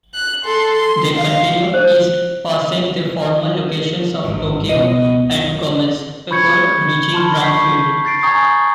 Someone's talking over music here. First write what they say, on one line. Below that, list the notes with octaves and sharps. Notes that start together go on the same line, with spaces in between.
They continue east passing the former locations of Tokio and Gomez before reaching Brownfield.
F#6
A4 C6
C6
F5
C5
G#1 G2
C#2 B2 B3 D#5
B5 C#6 G6 G#6 C#7
A5 B5 C6 F6
B5 C#6 G6 B6 C7
G6 A6 C7 D7
G#5 A#5 C#6 D#6 G#6 A6